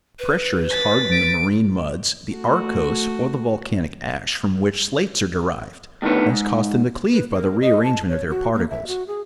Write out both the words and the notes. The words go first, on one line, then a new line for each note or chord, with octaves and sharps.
Pressure has hardened the marine muds, the arkose, or the volcanic ash from which slates are derived, and has caused them to cleave by the rearrangement of their particles.
B4
A6 B6
D7
A3 F#4
A2 D3 D#3 B3
G#2
B4
A#4
D#5
A5
C#5
F#4
A#3
E5
F#4
G#4